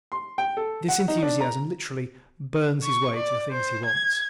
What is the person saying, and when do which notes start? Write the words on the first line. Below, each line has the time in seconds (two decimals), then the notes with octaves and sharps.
This enthusiasm literally burns his way to the things he wants.
0.12 C6
0.38 G5
0.57 A4
0.89 F#5
1.08 D#4
1.23 D4
1.41 A#5
2.83 C#6
3.16 D5
3.51 C5
3.85 G#6